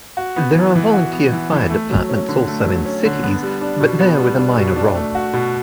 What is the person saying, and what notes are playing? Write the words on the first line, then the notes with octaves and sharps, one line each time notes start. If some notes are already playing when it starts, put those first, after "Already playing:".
There are volunteer fire departments also in cities, but there with a minor role.
F#4
B3
E3
E3
F#4
B3
E3
E3
A3
F#3
C#4
D3
A3
F#3
C#4
D3
B3
G3
D4
B2
B3
G3
D4
B2
D4
A3
F#4
B2